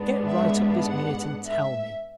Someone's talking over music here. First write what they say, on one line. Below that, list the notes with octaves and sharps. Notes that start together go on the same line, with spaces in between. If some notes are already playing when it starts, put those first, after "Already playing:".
Get right up this minute and tell me.
Already playing: G#2 G#3 B3 D4
E5
F#5
E5